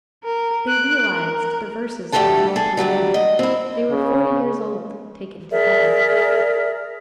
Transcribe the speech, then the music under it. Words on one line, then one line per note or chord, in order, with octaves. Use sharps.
They realized the verses of Jean Prouvaire; they were forty years old taken together.
A#4
F#6 D7
A#4
D2 A2 A3 G4 A4 A5
G#4 A4
D2 B2 F#3 G3
D#5
C4 E4
C#3
G#4 A#4 D5 E5